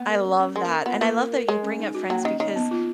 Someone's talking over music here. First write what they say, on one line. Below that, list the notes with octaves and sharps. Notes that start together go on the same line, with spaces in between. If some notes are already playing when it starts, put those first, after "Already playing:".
I love that and I love that you bring up friends because
Already playing: A#3 B3
A#4
C#4
C#4
G#3 A#4
A#3
A#4
B3 F4
A#3 B4
A#4
A#4
G#3 C#5
C#4
D#4
F#4
F#3 A#3
D#3 C#4
D#3 C#5
B3
F4